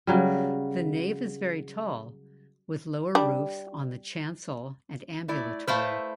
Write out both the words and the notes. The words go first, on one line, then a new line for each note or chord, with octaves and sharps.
The nave is very tall with lower roofs on the chancel and ambulatory.
C#3 F#3 G3
G3 D4
A3 E4 D5
A3 E4 B4 C5 F5